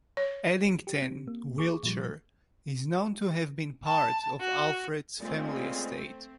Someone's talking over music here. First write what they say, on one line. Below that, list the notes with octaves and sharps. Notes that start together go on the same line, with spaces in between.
Edington, Wiltshire, is known to have been part of Alfred's family estate.
C#5
G4
C4
A#3
G#4 C#6 D6
A#2 F3 G3
A5
F#4
A#2 C#3 G#3 A3 C4